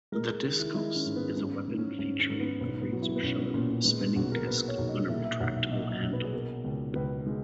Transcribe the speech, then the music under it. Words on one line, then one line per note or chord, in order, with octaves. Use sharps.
The diskos is a weapon featuring a razor-sharp spinning disk on a retractable handle.
G#3 A#4
G#4
D#3 G#4
E4
G#3 E4
C#4
G#2
B3
G#2 C#4
G#2
C#4
G#2 C#4
C#4
G#2
B3
B1 B3
B3
F#3
E4
B3
B1 C#4
B3
A#2 C#4
C#4
G#3 B3
B3
B1 F#4
A#4
A#2 B4
C#5
B1
D#5
A#2 E5
E5
B1 F#5
E5
A#2 D#5
D#5
B1
B4
G#4
B2 A#4
C#2
C#2 B4
G#3